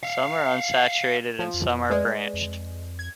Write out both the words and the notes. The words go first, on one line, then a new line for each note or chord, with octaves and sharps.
Some are unsaturated and some are branched.
E5 F5
F3
F2
G#3 B4 D5
F2
G#6